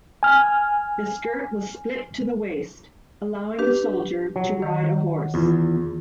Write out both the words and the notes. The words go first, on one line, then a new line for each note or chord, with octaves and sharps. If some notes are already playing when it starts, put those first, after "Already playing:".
The skirt was split to the waist, allowing the soldier to ride a horse.
G#5 F6
D4 G4 B4
F#3
D#3
E2 F4